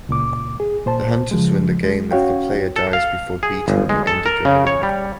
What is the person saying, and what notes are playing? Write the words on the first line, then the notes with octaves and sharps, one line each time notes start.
The hunters win the game if the player dies before beating the Ender Dragon.
C#2 A#2 D6
G#4
A#2 C5 A5
C#3 F3 G#3
G#3
C#4 F#4 C#5 F5 G5
A4
F5
G#4
G1
G#3
A4
A#4
C#3
C#5
G3